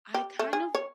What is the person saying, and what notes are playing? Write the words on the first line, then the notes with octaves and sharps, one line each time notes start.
I kind of
G4
A3
G#4
C#5